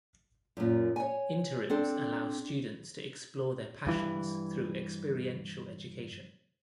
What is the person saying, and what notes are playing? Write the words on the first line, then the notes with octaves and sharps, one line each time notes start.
Interims allow students to explore their passions through experiential education.
F#2 A#2
C#5 G#5
C4 D4 A4
G2 E3